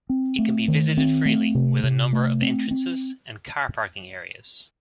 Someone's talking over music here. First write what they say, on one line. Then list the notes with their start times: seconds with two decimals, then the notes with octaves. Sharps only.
It can be visited freely, with a number of entrances and car parking areas.
0.09 C4
0.39 A3
0.68 D#3
0.97 C4
1.25 A3
1.55 C3
1.83 C3
2.13 A3
2.42 C4
2.71 C4